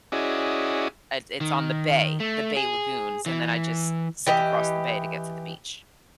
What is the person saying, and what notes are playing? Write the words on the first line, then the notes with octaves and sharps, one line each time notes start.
it it's on the bay, the bay lagoons, and then I just zip across the bay to get to the beach.
C#4 E4 F#4 G#4 D5 D#5
D#3
A3
G#4
E3
E3 G4 D#5